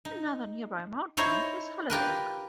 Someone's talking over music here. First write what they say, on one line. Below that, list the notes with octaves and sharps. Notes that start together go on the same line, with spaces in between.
Another nearby mountain is Halleberg.
D#4
D#4 E4 C5 C#5 A#5
F4 G4 A#4 B4